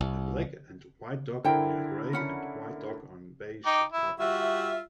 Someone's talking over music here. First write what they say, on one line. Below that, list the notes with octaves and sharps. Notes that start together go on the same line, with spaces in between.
A black and white dog near a gray and white dog on beige carpet.
C2
D3 E4 A#4 C5 G5
C#4 F#5 B5
D#4 G5 D6
E4
G3 F4 F#4 E5